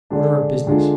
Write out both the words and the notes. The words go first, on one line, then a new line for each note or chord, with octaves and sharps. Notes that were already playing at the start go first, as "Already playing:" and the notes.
Order of Business.
D3 G#3 D4
D3 G#3 D4 F4